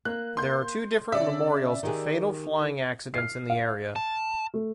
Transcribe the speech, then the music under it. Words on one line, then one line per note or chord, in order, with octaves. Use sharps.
There are two different memorials to fatal flying accidents in the area.
A#3 F#6
C6 G6
C#3 D5 E5
D#3 G4 G#4
F6 C7
F5
A5
A3